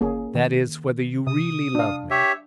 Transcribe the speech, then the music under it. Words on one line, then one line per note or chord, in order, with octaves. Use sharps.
"That is, whether you really love me?"
G1 A#3 C#4 G#4
D#3
C3 D#6
D4 F5
G4 C#5 E5